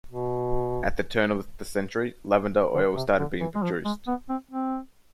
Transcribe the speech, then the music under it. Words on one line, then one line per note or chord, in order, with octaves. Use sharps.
At the turn of the century, lavender oil started being produced.
B2
D3
C3
D3
E3
G#3
F3
G#3
B3
C4
C4